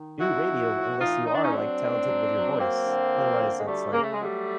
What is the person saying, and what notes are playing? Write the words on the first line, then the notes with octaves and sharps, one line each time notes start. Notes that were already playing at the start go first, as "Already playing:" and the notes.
do radio unless you are, like, talented with your voice. Otherwise, it's like,
Already playing: D#3
F2 E4 F#4
F3
A2
E3 D#4 F4
E3 D#4
D4
C#4 D#4
F#3 C4 D4
A2
F#3
F#3
F#3 A#3 C4
D3
F3
D3
G#3
D2 G3 A3
C#3 A#3
A3
G#3
F#3 G3 A3